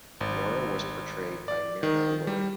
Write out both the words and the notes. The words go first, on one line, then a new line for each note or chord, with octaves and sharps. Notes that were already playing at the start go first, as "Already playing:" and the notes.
Nora was portrayed by Myrna Loy.
G#1
D5
D#3
G3